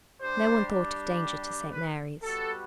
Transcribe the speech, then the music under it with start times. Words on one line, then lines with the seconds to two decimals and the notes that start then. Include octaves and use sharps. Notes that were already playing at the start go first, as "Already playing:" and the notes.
No one thought of danger to St. Mary's.
0.21 G3 D4 G4 C5
1.72 B4
2.22 G3 B3 F#4 A4